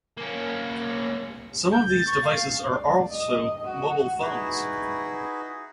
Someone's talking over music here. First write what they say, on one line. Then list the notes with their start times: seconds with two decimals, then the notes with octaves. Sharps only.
Some of these devices are also mobile phones.
0.17 A#3 C#4
1.72 G6
1.89 A6
2.07 C#6
2.22 F5
2.67 D5
3.11 D#5
3.65 F#4
4.22 D#4 E4 F#4 G#4 B4